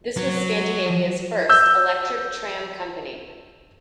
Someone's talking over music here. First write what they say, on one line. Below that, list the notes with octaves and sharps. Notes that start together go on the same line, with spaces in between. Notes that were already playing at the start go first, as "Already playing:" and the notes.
This was Scandinavias first electric tram company.
F#3
E6 G6